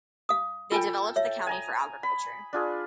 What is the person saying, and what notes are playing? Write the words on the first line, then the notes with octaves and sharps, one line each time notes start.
They developed the county for agriculture.
F5 D#6
F4 A4 G5 G#5
C#5 E5
G#5 A#5 D#6
B5
D4 F4 G#4